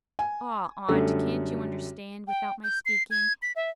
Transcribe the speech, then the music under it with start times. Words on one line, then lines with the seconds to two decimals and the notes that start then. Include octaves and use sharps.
"Ah, aunt; can't you understand, without my speaking?"
0.19 G#5
0.89 F#2 D3 G3 A3
2.27 G5
2.64 G6
2.86 C7
3.11 G#6
3.42 B6
3.56 E5